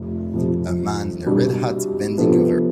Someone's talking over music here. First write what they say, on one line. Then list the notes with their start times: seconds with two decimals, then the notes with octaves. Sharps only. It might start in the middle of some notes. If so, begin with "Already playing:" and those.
A man in a red hat bending over.
Already playing: F1 F2 C3 F3
0.34 F2 C3 F3
1.26 C2 B2 G3 D4
2.18 C3 F3 B3 D4 A4